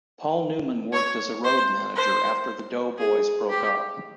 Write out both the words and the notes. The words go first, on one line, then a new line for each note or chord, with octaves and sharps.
Paul Newman worked as a road manager after the Doughboys broke up.
C#5
C5
C5
G#4
G4